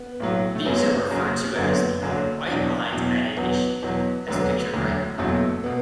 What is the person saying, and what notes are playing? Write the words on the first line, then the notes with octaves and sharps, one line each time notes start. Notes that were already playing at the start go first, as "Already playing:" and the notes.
These are referred to as the "white lines added issue", as pictured right.
Already playing: B3
B1 A2 F#3
A3
F#1 F#2 F#3 B3
F#1 F#2 F#3
F#1 F#2 D3 F#3 B3
F#1 F#2 D3 F#3
E2 B2 F#3 D4
E2 B2 F#3
E2 B2 F#3 B3
E2 B2 F#3 B3
E1 D2 D3 F#3 B3
E1 D2 D3 F#3
F#1 E2 B2 F#3 A3
B2 B3